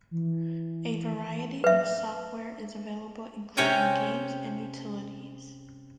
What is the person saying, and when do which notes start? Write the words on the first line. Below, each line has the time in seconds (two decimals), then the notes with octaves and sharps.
A variety of software is available including games and utilities.
0.11 E3
1.64 B4 E5
3.57 C3 C#4 C#5 G5 G#5 A#5